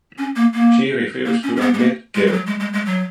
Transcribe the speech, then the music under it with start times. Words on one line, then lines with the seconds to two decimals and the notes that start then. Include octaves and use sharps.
She refused to admit guilt.
0.18 C#4
0.36 A#3
0.54 A#3
1.26 A#3
1.43 C#4
1.56 C#4
1.61 B3
1.74 B3
1.79 A#3
2.15 G#3
2.27 G#3
2.33 F#3
2.46 G#3
2.60 G#3
2.73 G#3
2.86 F#3